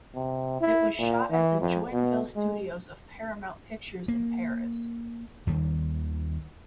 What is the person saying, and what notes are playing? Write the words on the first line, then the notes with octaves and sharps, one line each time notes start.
It was shot at the Joinville Studios of Paramount Pictures in Paris.
C3
E4
A#2
E3
F2
B2
G#3
A#3
D#2 D#3 G3